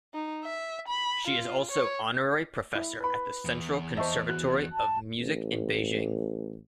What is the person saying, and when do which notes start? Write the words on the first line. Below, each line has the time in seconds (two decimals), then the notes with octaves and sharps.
She is also honorary Professor at the Central Conservatory of Music in Beijing.
0.14 D#4
0.44 E5
0.88 B5
1.27 F4
1.71 C#5
2.75 E4
3.00 B4 B5
3.45 E2
3.97 C5 D#5 E5 A5 C#6
4.29 F#4 F#6
4.72 A5
5.19 A1